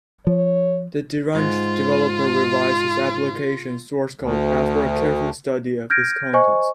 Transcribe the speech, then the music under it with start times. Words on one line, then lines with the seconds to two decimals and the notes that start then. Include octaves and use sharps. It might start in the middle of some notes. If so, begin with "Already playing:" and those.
The deranged developer revised his application source code after a careful study of its contents.
0.27 F3 C#5
1.35 G#2 F4
4.21 D2
5.90 F6 G6 G#6 A#6 D7
6.33 C5 D#5 G#5 C#6